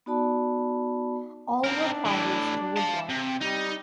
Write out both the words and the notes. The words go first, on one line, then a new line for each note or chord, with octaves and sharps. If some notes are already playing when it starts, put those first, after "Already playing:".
All were prizes to "Woodlark".
B3 D#4 F#4 D5 A5 B5
C4 D4 A#4
A2 E3
F5 A5
C3
G3 D#4